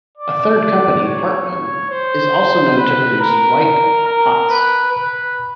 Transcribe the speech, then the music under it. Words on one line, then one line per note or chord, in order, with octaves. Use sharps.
A third company, Hartmann, is also known to produce white hots.
D5
C#5
C5
B4
A#4
A#4
B4
B4